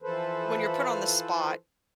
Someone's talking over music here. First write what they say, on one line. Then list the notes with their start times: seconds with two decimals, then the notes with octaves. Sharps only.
When you're put on the spot
0.02 E3 F3 A4 B4 C5